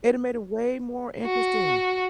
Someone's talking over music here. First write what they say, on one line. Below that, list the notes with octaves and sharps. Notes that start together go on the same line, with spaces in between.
it'd a made it way more interesting
F#4